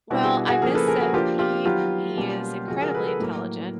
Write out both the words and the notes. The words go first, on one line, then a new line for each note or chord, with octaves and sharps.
Well, I miss that he he is incredibly intelligent
B2 G3 B3 D4 E4 F#4
F#4 G#4
F#4 G#4
C#3 F3 A#3 C#4 G#4 A#4
A4 B4
G#4 A#4
F#4 G#4
F3 A#3 D4 F4 G4
F4 G4
D#3 F#3 B3 F4 G4
B2 G3 A#3 C#4
C#3 F3 G#3 F#4 G#4
G#4 A#4
A4 B4
A4 B4
A2 F#3 A#3